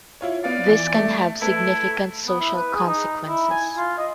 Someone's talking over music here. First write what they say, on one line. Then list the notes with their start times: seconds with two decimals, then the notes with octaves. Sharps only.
This can have significant social consequences.
0.21 E4 F4 C#5
0.44 B3 D5 F5
0.68 E3
0.94 A3
1.42 A3 E4 A4 B4
2.28 B3
2.40 E4
2.55 B4
2.74 G#4
2.87 D#4
3.28 E4
3.51 G#5
3.77 F4
3.98 D#5